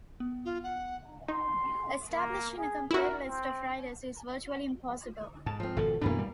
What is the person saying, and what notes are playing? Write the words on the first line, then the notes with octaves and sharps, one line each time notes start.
Establishing a complete list of riders is virtually impossible.
B3
F4
F#5
D#4 C6
A#3
G#4
E4 F#4 A#4
C4
G#2 A5
F3 C4
G#1 B2 F3 A4
F#2 B2 E3 A#3 D4
G3